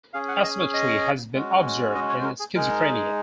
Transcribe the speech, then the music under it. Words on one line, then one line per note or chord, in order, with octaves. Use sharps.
Asymmetry has been observed in schizophrenia.
C#4 G#4 F5
F#5
D#5
C#5
D#5
G#3 C#4 F#4
D#5
C#5
C5
A#4
G#4
G#3 D#4 G#4 A#4